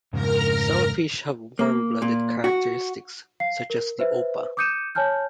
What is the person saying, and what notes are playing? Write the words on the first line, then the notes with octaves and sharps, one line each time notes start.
Some fish have warm-blooded characteristics, such as the opah.
F2 G#2 C#3 A#4 A#5 F6
A#3
A#2
F#4
F5 C7
A#4
B4 C5 E5
D6 D#6 G6 C#7 D#7 E7
C#5 G#5 A5 F6 G6